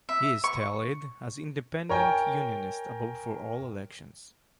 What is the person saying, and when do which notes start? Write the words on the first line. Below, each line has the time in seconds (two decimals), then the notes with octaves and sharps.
He is tallied as Independent Unionist above for all elections.
0.09 E5
0.44 C#6
1.89 A#4 C#5 G5 G#5